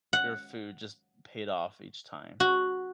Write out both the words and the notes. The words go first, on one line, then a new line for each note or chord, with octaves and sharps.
your food just paid off each time.
F#5
F#4